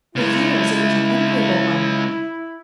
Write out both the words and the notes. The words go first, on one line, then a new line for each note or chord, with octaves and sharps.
For years it was an enviable one.
C#3 G#3 E4